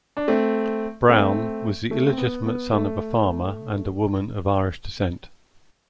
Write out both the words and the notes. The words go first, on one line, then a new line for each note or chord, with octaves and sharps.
Brown was the illegitimate son of a farmer and a woman of Irish descent.
D4
A3 C4
A3 C4
A3
C4
B3
B3
A3